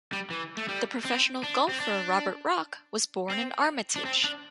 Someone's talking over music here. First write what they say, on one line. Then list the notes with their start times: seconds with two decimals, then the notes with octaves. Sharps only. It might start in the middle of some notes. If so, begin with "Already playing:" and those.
The professional golfer Robert Rock was born in Armitage.
0.13 G3
0.30 E3
0.57 A3
0.68 G3
1.05 C4
1.44 D4
1.69 C4
1.80 D4
3.30 C4
3.96 D4
4.05 C4
4.24 D4